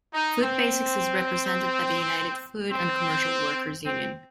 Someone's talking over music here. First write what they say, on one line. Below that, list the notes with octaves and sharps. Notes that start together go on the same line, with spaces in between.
Food Basics is represented by the United Food and Commercial Workers union.
D#4
C4
C4
C4